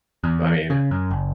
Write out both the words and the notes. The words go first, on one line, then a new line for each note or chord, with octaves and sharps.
I mean,
E2
C#3
F#2
F#1